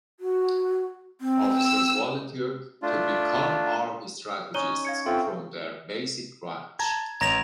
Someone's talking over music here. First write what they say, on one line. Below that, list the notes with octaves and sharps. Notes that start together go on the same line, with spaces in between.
Officers volunteer to become Army Strategists from their basic branch.
F#4
C4
E6
A3 D4 F4
C#4 D#4 C#5 D#7 G7
F5 G#6 C#7
C4 F4 A4 E5 C#6
A5 A#5 G#6
A1 A#5 G#6 A#6 F7